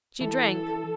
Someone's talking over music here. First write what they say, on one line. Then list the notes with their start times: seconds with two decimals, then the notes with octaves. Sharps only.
She drank.
0.21 E3 A4